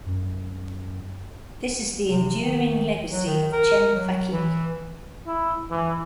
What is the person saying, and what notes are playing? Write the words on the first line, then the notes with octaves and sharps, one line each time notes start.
This is the enduring legacy of Chen Fake.
F#2
C3
D#3
F#3
D#3
A#4
F#3
E3
E4
E3